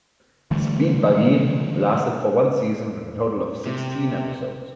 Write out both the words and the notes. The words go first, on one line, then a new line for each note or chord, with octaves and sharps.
"Speed Buggy" lasted for one season with a total of sixteen episodes.
D3 E3 G3 A3
C3